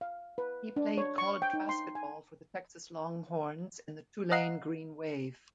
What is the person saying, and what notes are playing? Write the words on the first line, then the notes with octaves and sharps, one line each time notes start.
He played college basketball for the Texas Longhorns and the Tulane Green Wave.
F5
B4
D4
C#5
C#6
G5
D#4
C6
G#5
D#5 F5 F#5 A#5 F#6 C7